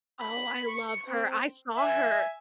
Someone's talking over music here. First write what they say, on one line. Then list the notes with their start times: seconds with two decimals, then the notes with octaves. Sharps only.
Oh, I love her, I saw her,
0.20 B5
0.68 C#6
1.06 C4
1.77 E5 G#5